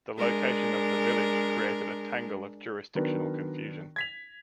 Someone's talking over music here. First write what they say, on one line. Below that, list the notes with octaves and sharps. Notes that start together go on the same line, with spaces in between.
The location of the village created a tangle of jurisdictional confusion.
G#3 D4 A#4
D#3 F#3 B3 D4 A#4
G#6 B6 F7